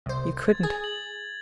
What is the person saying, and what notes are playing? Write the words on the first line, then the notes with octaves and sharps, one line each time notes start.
You couldn't.
C2 C5
G#6 A6
G#4 G#6
A6 F#7